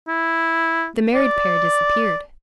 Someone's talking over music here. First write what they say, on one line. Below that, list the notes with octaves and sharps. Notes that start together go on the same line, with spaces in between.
The married pair disappeared.
E4
D5